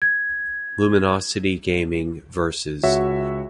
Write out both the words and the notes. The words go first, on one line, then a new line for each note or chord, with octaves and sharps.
Luminosity Gaming vs.
G#6
C#2 F#4 C#5 E5